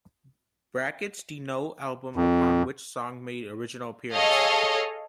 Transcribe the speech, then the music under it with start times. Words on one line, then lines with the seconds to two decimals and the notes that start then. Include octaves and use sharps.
Brackets denote album upon which song made original appearance.
2.16 F2
4.14 G#4 A4 C#5 D#5 F5